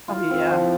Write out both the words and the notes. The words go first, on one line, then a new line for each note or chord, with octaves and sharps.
Oh, yeah.
F4
C4
F3